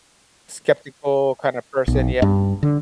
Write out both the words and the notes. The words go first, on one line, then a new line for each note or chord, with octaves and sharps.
skeptical, kinda person yeah,
B1
G2
D3